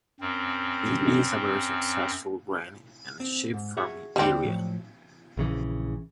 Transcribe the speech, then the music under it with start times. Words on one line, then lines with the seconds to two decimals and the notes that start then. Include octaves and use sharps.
It is a very successful grain and sheep farming area.
0.20 F#2 C4
3.20 C4
3.54 G#2
3.77 F#4 G#4 E5
4.16 D#2 D3 G3 C4 E4
4.44 A2 F3 F#3
5.37 A#1 C#3 E3